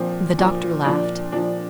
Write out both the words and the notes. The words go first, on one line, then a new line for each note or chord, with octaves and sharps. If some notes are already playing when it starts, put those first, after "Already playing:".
The doctor laughed.
Already playing: A#2 F3 C4
A#2 F3
A#2 F3 D4
A#2 F3 D4